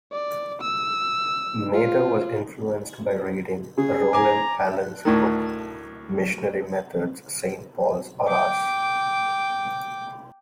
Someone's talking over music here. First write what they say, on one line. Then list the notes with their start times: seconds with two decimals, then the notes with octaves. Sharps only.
Mather was influenced by reading Roland Allen's book, Missionary Methods: Saint Paul's or Ours?
0.12 D5
0.61 E6
1.74 F4
3.77 C#3 G#4
4.13 G#5 A#5 D6
5.05 D2 A2 D#3
8.29 G5 D6